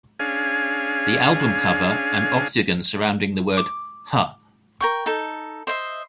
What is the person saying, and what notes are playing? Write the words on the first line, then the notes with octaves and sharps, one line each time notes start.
The album cover, an octagon surrounding the word Huh?
C#4 D4 G#4 F5 G#5
D6
A#4 G5 C#6
D#4 A4
C5 D#5 E5